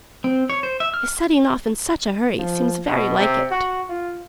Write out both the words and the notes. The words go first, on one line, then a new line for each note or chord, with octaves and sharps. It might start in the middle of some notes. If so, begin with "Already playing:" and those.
His setting off in such a hurry seems very like it.
C4
C#5
C5
E5
F6
F3
B2
C3
F#4
F4